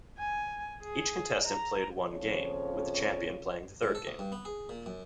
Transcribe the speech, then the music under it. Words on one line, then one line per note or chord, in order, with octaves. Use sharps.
Each contestant played one game, with the champion playing the third game.
G#5
G#4
A#5
F2 A#2 C#3 F3 C#5
G#2
A4
D2
G2
B3
G#4
A#2
F#2